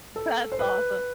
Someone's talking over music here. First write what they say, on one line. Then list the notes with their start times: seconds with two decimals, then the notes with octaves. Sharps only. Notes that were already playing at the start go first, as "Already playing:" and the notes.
That's awesome.
0.16 A4
0.52 C5
0.59 B4